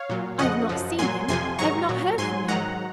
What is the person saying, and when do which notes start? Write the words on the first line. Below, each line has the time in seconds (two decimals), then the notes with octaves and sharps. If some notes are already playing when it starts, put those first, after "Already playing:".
I have not seen him; I have not heard from him.
Already playing: C#5 F5
0.10 A#2 F#3
0.39 F2 C#3 F3 D#5 F#5
0.69 F#2 F3
0.99 A#2 F#3 G#5 C6
1.28 F2 C3 F3 G#5 C6
1.59 G#2 D#3 F#3 A#5 C#6
1.89 A#2 F#3
2.18 G#2 F#3 G#5 C6
2.48 G#2 D#3 F#3 F#5 A#5